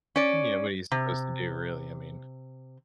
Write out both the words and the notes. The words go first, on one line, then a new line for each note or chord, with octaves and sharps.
Yeah, what are you supposed to do, really, I mean.
C#4 D5
C3